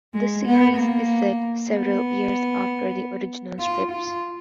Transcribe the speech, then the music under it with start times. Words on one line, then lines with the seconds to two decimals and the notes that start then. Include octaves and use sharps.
The series is set several years after the original strips.
0.14 G#3
0.45 B3
0.77 A#3
1.71 B3
3.60 F4
3.91 F4